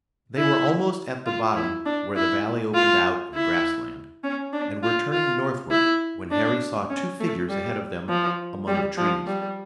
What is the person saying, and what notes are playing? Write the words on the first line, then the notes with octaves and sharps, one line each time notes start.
They were almost at the bottom where the valley opened out in grass land, and were turning northward when Harry saw two figures ahead of them among the trees.
E4
F4
E4
D4
E4
F4
E4
C#4
D4
F4
F4
E4
D4
C#4
A3
G3
F3
G3
F3
G3